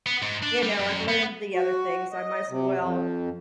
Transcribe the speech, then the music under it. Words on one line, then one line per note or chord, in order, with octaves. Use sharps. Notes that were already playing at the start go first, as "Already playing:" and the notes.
you know, I've learned the other things, I might as well
B3
G#2
D4
G3
F#2
B3
F#4
D#5
C3
F2